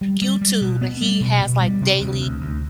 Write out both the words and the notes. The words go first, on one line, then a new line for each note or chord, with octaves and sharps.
YouTube and he has, like, m
G3
G3
G3
B2
B3
G3
B2
B2
G3
C3
D2
D2
D2